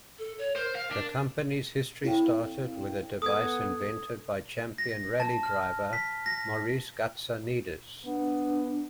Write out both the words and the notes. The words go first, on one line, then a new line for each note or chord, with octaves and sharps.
The company's history started with a device invented by champion rally driver Maurice Gatsonides.
A4
C#5
A#4 C5
F5
D4
C4 E4 A4 C#5 F5 G5
B3 A4 D#6 G#6
A#6
A5
F6
B6
A#6
B3 D4